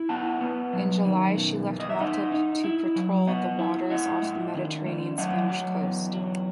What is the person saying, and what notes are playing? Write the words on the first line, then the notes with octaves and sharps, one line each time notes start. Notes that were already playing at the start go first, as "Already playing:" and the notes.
In July, she left Malta to patrol the waters off the Mediterranean Spanish coast.
Already playing: E4
B3 F#5 A5
B3
F#3
D#3
B2
E2
D#5
E5
D#4 D#5 F#5
D#4
E4
F#3
B3 D#5 F#5
E4
E4 D#5 F#5
A3
D#3
A3
F#3 D#5 F#5
F#3
E2
F#3